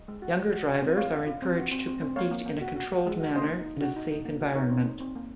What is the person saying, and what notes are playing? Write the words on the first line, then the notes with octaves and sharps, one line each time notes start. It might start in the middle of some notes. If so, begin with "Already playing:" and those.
Younger drivers are encouraged to compete in a controlled manner in a safe environment.
Already playing: D#5
G#3
F#4
G#3
F#4
F#4
C4
F4 C#5 F5
F4
F4
C4
F#4
C4
C4
C4
A#3 C#5 F5
A#3
A#3
F#4
F#4
F#4
G#3
F#4
A#3 C5 D#5
D#4
D#4
F#4
D#4
D#4
A#3
F#4
D#4 A#4 C#5
C4
D#4
C4
A#3